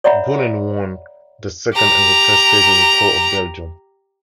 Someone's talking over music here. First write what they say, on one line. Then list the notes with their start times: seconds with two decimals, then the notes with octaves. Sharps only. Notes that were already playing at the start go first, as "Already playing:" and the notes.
Boonen won the second and the third stages of the Tour of Belgium.
0.04 C#5 D5 E5 F#5 A#5 B5
1.74 G4 A#5